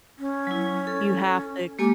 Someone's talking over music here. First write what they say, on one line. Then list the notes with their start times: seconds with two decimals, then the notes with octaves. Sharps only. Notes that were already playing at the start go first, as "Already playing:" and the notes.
you have to
0.19 C#4
0.47 F#3 E4
0.87 A4
1.79 G#3 A#3 G4 G#5